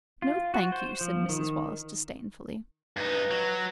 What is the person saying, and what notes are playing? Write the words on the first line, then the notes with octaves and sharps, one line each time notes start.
"No, thank you," said Mrs. Wallace disdainfully.
F4
F#4
C5
F3
D#3
G2 D#4 B4
F#3